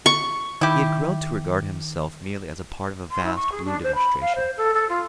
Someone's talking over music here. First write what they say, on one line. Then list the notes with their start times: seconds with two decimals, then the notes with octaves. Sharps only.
He had grown to regard himself merely as a part of a vast blue demonstration.
0.06 C#6
0.61 D#3 E4 G4
3.10 C6
3.24 E4
3.35 C#6
3.51 G#4
3.65 D4
3.83 C5
3.95 B5
4.21 F5
4.35 C5
4.57 A4
4.74 A4
4.89 F4